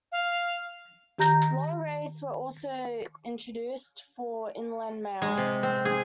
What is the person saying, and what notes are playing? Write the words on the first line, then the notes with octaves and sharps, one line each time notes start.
Lower rates were also introduced for inland mail.
F5
D#3 G4 A#5 G6 A#6
G#3
C3
C4
G#4